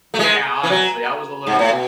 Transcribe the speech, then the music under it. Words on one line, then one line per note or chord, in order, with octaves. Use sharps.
Yeah, honestly, I was a little
A3
G#3
E3
F#3
G#2
A2
B2